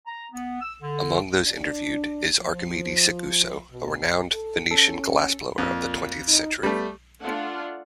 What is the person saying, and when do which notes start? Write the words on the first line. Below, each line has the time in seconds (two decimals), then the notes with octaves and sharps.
Among those interviewed is Archimede Seguso, a renowned Venetian glassblower of the twentieth century.
0.06 A#5
0.33 B3
0.61 E6
0.82 D3
1.44 D4
2.40 F3
3.71 B2
4.32 A4
4.71 C#4 A4
5.58 F2 A#2
6.28 D#4
6.63 G3 A3 B3
7.22 A3 D4 F4 A4 F5 F#5